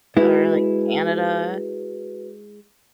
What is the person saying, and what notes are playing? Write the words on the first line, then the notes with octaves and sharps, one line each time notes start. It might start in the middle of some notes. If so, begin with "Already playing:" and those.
or, like, Canada
G#3 E4 F#4 B4